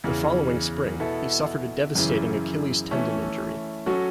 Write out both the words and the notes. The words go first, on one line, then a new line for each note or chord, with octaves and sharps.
The following spring, he suffered a devastating Achilles' tendon injury.
E2 C#3 E3
B2 B3 E4 A4
F#2 C#3 E3
E3 A3 C#4 E4
F#3 C#4 F#4 A4